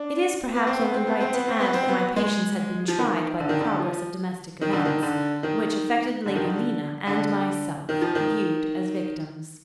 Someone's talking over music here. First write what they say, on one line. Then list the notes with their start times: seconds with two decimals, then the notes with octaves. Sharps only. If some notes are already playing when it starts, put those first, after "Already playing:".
It is perhaps only right to add that my patience had been tried by the progress of domestic events, which affected Lady Lena and myself--viewed as victims.
Already playing: D4
0.54 B3
0.67 C4
0.80 B3
0.94 C4
1.07 B3
1.21 C4
1.34 B3
1.48 C4
1.60 B3
1.74 C4
1.88 B3
2.16 G#3
2.88 F3
2.98 D#3
3.40 D3
3.49 D#3
3.61 D3
3.80 F3
4.61 D#3
4.73 D3
4.85 D#3
5.03 D3
5.43 D#3
6.26 D3
6.35 D#3
6.45 D3
7.07 D3
7.89 D#3
8.02 F3
8.15 D#3